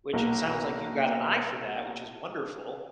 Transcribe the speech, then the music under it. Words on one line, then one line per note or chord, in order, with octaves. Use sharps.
which it sounds like you've got an eye for that, which is wonderful.
B1 A#3